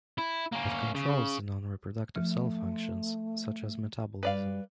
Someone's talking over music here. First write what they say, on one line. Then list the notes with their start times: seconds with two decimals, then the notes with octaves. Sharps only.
It controls the non-reproductive cell functions, such as metabolism.
0.18 E4
0.52 A#3 C#4
0.95 C#3
2.16 F3 A3
4.23 G3 B4 D5 F5